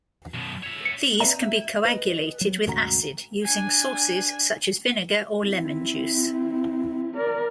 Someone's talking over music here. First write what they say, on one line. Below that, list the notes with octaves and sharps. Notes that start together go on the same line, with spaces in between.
These can be coagulated with acid using sources such as vinegar or lemon juice.
F#2 B2
C#5 E5
C#7
C4 B4 C#5 D5 E5 A#5
E5
B4 D#5
F#3
D#2 G#2 C#3 A3 F#4 A#5
D4 G#5
C4 E4
A#4 D5